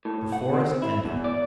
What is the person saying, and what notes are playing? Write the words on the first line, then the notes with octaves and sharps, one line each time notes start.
The forest ended.
A2
F#5
C4
E4
E2
D5